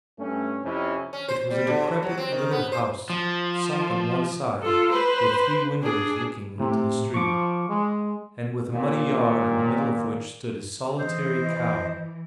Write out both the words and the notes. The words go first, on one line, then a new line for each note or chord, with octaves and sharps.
It was a decrepit little house, sunk on one side, with three windows looking into the street, and with a muddy yard, in the middle of which stood a solitary cow.
G2 A3 C#4
F2 C3 C#4 E4
C#4
C5
G3
D3
A2
F#3
C4
D#3
B3
C5
F3
F4 A4
B4 C5
D4 G#4
A2 C3
F3 C#6 D6
G#3
D#2 A#2
E3 C5 D#5